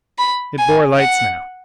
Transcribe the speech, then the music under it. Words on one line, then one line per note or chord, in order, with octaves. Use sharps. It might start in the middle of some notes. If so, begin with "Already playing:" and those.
It bore lights now.
B5
G#5
F#5